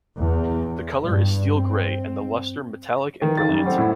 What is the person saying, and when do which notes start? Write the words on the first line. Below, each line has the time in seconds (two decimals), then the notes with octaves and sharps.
The color is steel-gray, and the luster metallic and brilliant.
0.16 E2
1.05 G2
1.52 C4
3.22 D#3 E3
3.37 D#4 F5 A6
3.49 F#2 G3
3.66 G3 A3 C4 F#5
3.78 A2 E4